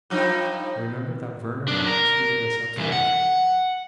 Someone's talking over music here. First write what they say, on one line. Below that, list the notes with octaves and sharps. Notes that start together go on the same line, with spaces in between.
I remembered that Werner had preceded us upstairs.
G2 F3 D#4
F#2 D4
A#4
C2 E3
F#5